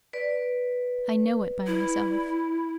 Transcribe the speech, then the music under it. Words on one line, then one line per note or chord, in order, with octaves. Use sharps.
I know it by myself.
B4 D5
E4